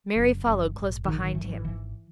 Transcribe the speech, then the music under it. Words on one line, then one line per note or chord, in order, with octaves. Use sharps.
Mary followed close behind him.
F#1 F#2 C#3
F#1 F#2 C#3
A#1 G#2
A#1 G#2 D#3
D#3
G#1 G#2 E3
F#3
E3
G#1 G#2 E3